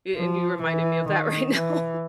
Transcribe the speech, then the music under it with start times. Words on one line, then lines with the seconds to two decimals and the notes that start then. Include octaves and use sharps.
A and you reminded me of that right now,
0.16 F3
0.61 E3
1.07 D#3
1.54 E3